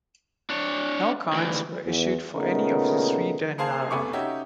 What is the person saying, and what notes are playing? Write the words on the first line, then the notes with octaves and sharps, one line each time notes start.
No coins were issued for any of the three dinara.
D4 C#5
D2 E3
E2
A#2 C#3 A3 B3 D#4 A#4
A#3 G#4 C5 F5 G#5 A5
F1 A3 B3 G#5 C#6 D6
C#4 D#4 F#4 G4 E5